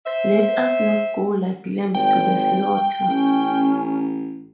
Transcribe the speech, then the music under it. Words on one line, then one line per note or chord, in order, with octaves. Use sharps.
Let us not go like lambs to the slaughter!
C5 E5
G#1 G5
A1 C#4